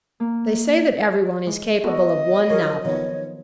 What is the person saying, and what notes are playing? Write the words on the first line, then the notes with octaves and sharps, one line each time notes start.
They say that everyone is capable of one novel.
A#3
G#3
B3 F#4 A4 D#5
F3 F#3 A#4 C#5
D#3 F3 B3 C#5